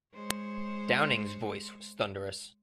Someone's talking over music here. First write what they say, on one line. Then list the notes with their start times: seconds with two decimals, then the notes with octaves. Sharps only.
Downing's voice was thunderous.
0.14 G#3 C5 C#5